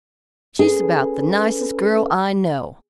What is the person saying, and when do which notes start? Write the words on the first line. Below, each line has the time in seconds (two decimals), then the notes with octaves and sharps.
"She's about the nicest girl I know."
0.59 C#4 G#4 A4 B4